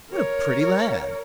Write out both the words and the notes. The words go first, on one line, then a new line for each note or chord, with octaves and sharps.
"What a pretty lad!"
A#4 C#5